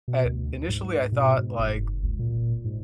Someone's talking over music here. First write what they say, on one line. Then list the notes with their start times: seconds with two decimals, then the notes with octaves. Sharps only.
uh initially, I thought, like,
0.08 B2
0.25 D2
0.68 G#2
1.12 B2
1.38 G#2
1.59 F#1
2.03 C#2
2.19 A#2
2.64 G#2